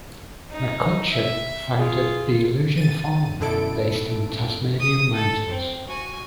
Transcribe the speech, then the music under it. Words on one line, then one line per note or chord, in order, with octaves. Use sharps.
McCutcheon founded the Illusion Farm, based in the Tasmania mountains.
D#4
E5
F4 G#4
A6 D#7
F#2 B2 D3 E4 A4 D7
D#6
A4
C4
F#4 G#5